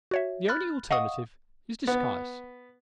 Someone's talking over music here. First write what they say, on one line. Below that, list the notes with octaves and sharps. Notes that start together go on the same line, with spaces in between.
The only alternative is disguise.
F#4 C#5 E5
B5 F6 F#6 A6
D#5 F5 F#5 C#6 D#6
B3